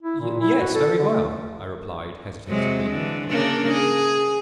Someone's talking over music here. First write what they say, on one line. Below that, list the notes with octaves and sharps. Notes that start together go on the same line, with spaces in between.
'Yes, very well,' I replied, hesitatingly.
E4
A#2
E4
F#4
A4
D3
A3
C3 F#3 G#3
D3 E3
C#3 A#3 D4
G#4